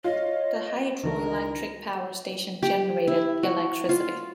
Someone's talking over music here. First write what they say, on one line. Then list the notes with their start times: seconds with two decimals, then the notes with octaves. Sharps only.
The hydroelectric power station generated electricity.
0.04 F4 C#5 D#5
1.03 C#2 D#3 E3 D4 F#4 A#4
2.63 G4
3.07 E4
3.43 F#4
3.89 F4